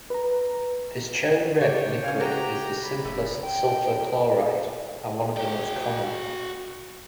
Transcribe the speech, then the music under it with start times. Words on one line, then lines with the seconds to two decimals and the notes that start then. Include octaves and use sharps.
This cherry-red liquid is the simplest sulfur chloride and one of the most common.
0.10 B4 A#5
1.60 C#3 G4 C#5 G5
2.04 C#4 F5 G#5
2.20 F#4 G4 A#5
2.83 B5
3.05 F1 A2
3.44 G5
5.37 F#4 G5